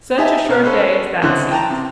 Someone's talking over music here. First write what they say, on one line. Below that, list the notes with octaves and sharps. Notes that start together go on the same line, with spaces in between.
Such a short day as that seemed!
D#4 G4 E5 G#5 A5
B2 A#4 F5
C#4 A4 B4 C5
C#2 D3 E3 C4 F#6
G5 A5 A#5
C3